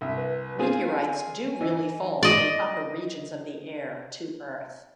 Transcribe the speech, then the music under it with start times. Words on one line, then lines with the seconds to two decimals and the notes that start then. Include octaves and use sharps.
Meteorites do really fall from the upper regions of the air to earth.
0.01 C2 E5
0.17 B4
0.59 C4 F4 G#4 G#5
1.60 E3 D#5
2.23 D5 D#5